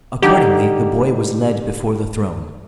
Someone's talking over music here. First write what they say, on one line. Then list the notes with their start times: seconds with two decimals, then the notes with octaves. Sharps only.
Accordingly, the boy was led before the throne.
0.22 D3 G3 D#4 G4